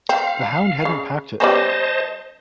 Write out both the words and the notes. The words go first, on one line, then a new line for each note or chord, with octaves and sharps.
The hound hadn't packed it.
C4 F5
C#3
G3 B3 C#4 C5 D#5 A5